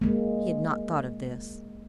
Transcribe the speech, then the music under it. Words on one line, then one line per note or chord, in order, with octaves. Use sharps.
He had not thought of this.
G#3 A#3